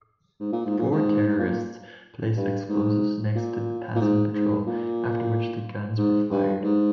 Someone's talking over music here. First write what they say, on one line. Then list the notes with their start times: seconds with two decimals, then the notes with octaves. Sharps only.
Four terrorists placed explosives next to the passing patrol, after which the guns were fired.
0.40 G#2
0.52 A#2
0.66 G#2
0.78 A#2
0.91 G#2
1.28 G#2
1.39 A#2
2.37 G2
2.69 G#2
3.35 A#2
3.95 A#2
4.01 G#2
4.33 G#2
4.67 A#2
5.98 G#2
6.31 G2
6.63 G#2